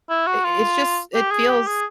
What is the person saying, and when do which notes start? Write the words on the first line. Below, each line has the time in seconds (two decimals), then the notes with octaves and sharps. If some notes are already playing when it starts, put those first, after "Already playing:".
i i it's just it feels
0.09 E4
0.27 F#4
0.45 F4
1.14 G4
1.31 G#4
1.49 G4
1.67 G#4